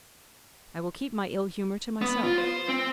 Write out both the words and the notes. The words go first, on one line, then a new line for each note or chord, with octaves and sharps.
I will keep my ill-humour to myself.
B3
F4
C5
C4